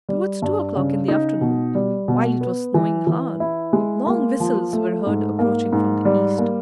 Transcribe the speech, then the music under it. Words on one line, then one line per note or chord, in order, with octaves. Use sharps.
Towards two o'clock in the afternoon, while it was snowing hard, long whistles were heard approaching from the east.
G3
G2
C#3
D#4
B2
G3
B2
B3
E3
E3
E4
G#3
A#3
F3
A3
G#2
A#3
G#2
G3
A#3